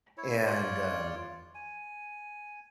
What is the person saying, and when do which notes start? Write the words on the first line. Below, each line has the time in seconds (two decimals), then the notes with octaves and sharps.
And, um,
0.18 E4 C#5
0.45 F4 C#5 D5
1.55 G#5